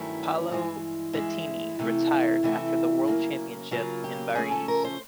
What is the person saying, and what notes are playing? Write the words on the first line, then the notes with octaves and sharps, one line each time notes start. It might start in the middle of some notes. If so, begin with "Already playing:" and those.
Paolo Bettini retired after the world championship in Varese.
Already playing: G2 D#3 F#3 A3 C#4 E4
G2 E3 G#3
G2 E3 G#3 E4
C3 E3 A3
C3 E3 A3
C#3 F#3 A#3
C#3 F#3 A#3 F4
G4
C#3 F3 A3 C#4 G#4
A4
A#4
C5